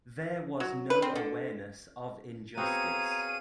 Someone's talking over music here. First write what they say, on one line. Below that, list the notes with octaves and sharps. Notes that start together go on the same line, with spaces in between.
There was no awareness of injustice.
F#3
B4
C4
D3
B3 C4 F#4 G#4 C#5 F5 A#5 D#7